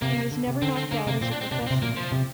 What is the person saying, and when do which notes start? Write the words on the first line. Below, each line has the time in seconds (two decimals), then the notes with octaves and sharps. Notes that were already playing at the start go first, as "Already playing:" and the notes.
He was never knocked out as a professional.
0.02 C3 A#3
0.17 C3
0.32 D3
0.47 C3
0.62 D3 C4
0.77 C4
0.91 D3 A#3
1.07 C3 A#3
1.21 A#2 C4
1.31 D4
1.41 C4
1.51 C3 D4
1.61 A#2
1.67 C4
1.70 C3
1.82 A#2 A#3
1.96 C3 F3
2.12 C3